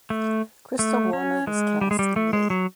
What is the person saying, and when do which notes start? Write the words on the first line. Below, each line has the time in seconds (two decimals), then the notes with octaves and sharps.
Krista Warner was cast in May.
0.10 A3
0.79 A3
1.13 C#4
1.47 G#3
1.81 G3
1.91 G#3
1.99 G3
2.16 A3
2.33 G#3
2.50 F#3